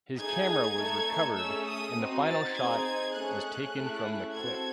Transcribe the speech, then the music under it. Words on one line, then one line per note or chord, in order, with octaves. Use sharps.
His camera was recovered and the final shot was taken from the cliff.
A3 D#4 G#4 G#6
A3 D#4 A4
A3 C#4 G#4 E6
D#6
C4 D#4 F#4
A6
C4 D#4 G#4 G#6
A3 C#4 G#4 F#6
A3 C#4 E4 G#4
C4 F#4 A4 G#6